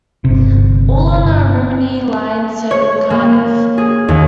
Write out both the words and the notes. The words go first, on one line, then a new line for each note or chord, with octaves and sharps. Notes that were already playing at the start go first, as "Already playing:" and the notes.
All on the Rhymney Line serving Cardiff.
G1 C3
C#5
A#3
G#4
D#2